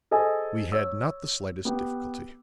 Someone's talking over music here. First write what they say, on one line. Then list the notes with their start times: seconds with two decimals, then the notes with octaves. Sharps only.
"We had not the slightest difficulty."
0.11 G#4 A4 C5 D#5 G#5
0.72 C#5 E6
1.65 B3 G4